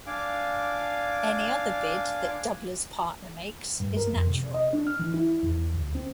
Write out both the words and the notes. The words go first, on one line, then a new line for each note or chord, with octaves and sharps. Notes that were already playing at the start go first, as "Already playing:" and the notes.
Any other bid that doubler's partner makes is natural.
D4 F5 G#5 D6
G2
A#4
F2
C3
D#5
D4
F6
E3
E4
E2
D2
C4